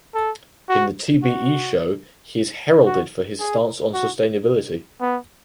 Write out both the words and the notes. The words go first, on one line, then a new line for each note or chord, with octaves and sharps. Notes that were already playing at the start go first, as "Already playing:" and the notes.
In tbe show he is heralded for his stance on sustainability.
A4
F#4
F#4
F#4
G#4
F#4
B3